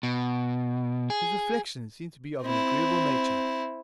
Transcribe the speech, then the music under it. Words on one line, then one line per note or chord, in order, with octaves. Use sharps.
His reflections seemed to be of an agreeable nature.
B2
G#4
C4 E4